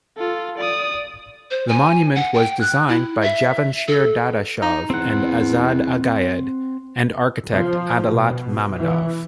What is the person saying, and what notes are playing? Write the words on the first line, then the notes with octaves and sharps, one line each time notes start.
The monument was designed by Javanshir Dadashov and Azad Agayed, and architect Adalat Mammadov.
F4 A4
D5 D#6
C5
G#5
F#5
G5
F#6
E4
E5
A4
D#4
E2 C4 F#5
F3
B2
E3